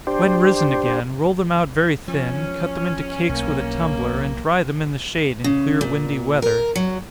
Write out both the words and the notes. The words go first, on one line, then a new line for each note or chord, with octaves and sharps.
When risen again, roll them out very thin, cut them into cakes with a tumbler, and dry them in the shade in clear windy weather.
D4 G4 C5
F3 C#4
B1 A#3
C#3
A#2
A#4
F#3